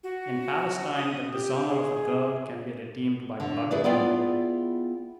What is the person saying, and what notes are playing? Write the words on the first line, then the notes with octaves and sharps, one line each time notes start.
In Palestine, the dishonor of a girl can be redeemed by blood alone.
F#4
D#6
G4
G#4
D3
E4 G#4 A4 B4 D5
B3 E4 F4 G#4 D5 G5